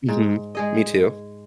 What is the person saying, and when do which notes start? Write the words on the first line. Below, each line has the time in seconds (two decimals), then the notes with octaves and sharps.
Mhm. Me too.
0.09 G#2
0.55 G#3 G#4 D#5